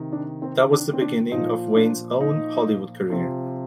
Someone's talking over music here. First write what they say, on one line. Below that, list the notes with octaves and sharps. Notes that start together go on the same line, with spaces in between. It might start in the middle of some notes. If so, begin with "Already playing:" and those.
That was the beginning of Wayne's own Hollywood career.
Already playing: C3 D#3
D4
C4
D4
C4
D4
A#2 F3 D#4
D4
D#4
C3 F3